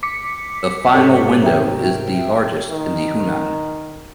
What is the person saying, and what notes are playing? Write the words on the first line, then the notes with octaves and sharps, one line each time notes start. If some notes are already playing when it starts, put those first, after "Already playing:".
The final window is the largest in the Honan.
D6 B6 C#7
G#2 C3 G4 A4 C#5
A#4 E5 G5
D#3